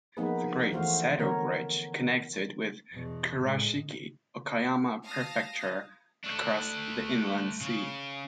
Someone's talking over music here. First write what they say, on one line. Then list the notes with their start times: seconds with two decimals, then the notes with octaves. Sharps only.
The Great Seto Bridge connects it with Kurashiki, Okayama Prefecture across the Inland Sea.
0.17 F3 A#3 B3 D#4 G#4 B4
0.73 E3 A3 F#4 C5 F5
1.18 D3 B3 A#4 C#5
2.92 E2 B2
3.39 A2 G#3
5.02 F5 A5 D#6 A#6
6.24 A3 D4
7.61 C#3